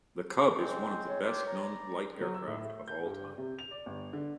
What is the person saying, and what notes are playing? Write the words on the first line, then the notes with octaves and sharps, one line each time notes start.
The Cub is one of the best known light aircraft of all time.
G#3 C4 C5
C#5
G4 C5 A5
D5 A#5
F#3
E6
A2
A3
G6
G2
C3
F7
D5
G1
D3